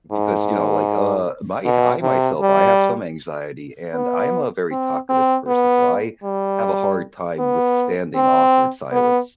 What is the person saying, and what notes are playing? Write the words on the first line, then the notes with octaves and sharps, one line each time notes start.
Because, you know, like, uh, mys I myself, I have some anxiety, and I'm a very talkative person. So, I have a hard time withstanding awkward silence.
G#2
B2
C3
G3
B3
C4
C4
B3
G3
B3
C4
B3